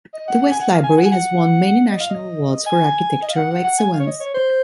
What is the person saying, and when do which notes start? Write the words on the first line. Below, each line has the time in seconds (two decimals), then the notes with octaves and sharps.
The West Library has won many national awards for architectural excellence.
0.13 D#5
0.28 F#5
0.42 F#5
0.51 G#5
0.60 F#5
0.70 F5
0.83 G#5
0.98 F#5
1.05 G#5
1.11 F#5
1.91 D#5
2.00 F5
2.10 D#5
2.66 G#5
3.22 D#5
3.29 F5
3.36 F#5
3.50 F#5
3.64 F#5
3.78 G#5
3.92 F5
3.99 C#5
4.07 D#5
4.20 C#5
4.34 C5